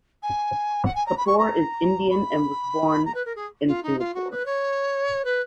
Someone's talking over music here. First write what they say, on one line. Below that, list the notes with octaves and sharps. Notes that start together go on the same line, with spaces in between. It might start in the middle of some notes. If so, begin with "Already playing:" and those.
Kapur is Indian and was born in Singapore.
G#5
F#5
G#5
A#5
B5
C#6
A#5
B5
A#5
B4
A#4
G#4
F4
D#4
F4
F#4
B4
C#5
B4